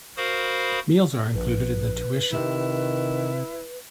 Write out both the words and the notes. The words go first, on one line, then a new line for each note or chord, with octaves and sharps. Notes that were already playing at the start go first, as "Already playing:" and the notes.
Meals are included in the tutition.
F#4 A#4 C5 F5 B5 D#6
A#1 B4
C3 D#3 E4